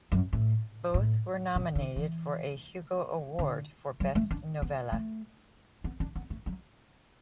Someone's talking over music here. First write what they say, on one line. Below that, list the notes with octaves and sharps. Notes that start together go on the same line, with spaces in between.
Both were nominated for a Hugo Award for Best Novella.
F#2
A2
A2
B2
D3
E3
D3
F#3
A3
D4
B3
A3
B3
D4
B3
A3
F#3